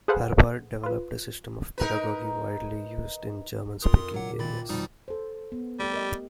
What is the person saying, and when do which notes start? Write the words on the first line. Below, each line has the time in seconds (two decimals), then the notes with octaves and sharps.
Herbart developed a system of pedagogy widely used in German-speaking areas.
0.08 G#4 A4 B4 C5 F5 F#5
0.84 F4 B4
1.78 D#4 A#4 B4
3.82 F2 F4 A#4 C6 D#6
4.14 A#2 F#3 F#5
4.39 A#2 D#3 A#3 B5 A6
4.69 F2 B2 G3 D#4 D#6
5.08 A4 C5
5.52 B3
5.79 G3 A3 C4 G4
5.93 A#4 D#5